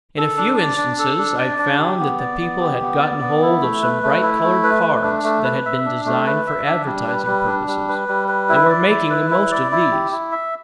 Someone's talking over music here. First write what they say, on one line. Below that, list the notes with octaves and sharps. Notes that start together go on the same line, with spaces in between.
In a few instances I found that the people had gotten hold of some bright-coloured cards that had been designed for advertising purposes, and were making the most of these.
A4
D4
D5
D4
A4
D4
D5
D4
G4
B3
D5
B3
G4
B3
D5
B3
E4
A3
B4
A3
E4
A3
B4
A3
D4
A3
B4
E5
D4
A3
B4
E5
D4
G3
B4
G3
D4
G3
B4
G3
B4
E4
D5
E4
B4
E4
D5
E4
G4
E4
E5